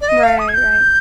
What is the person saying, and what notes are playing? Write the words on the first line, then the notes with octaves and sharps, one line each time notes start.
Right, right.
D5
D#5
F5
D#6
G#6
G6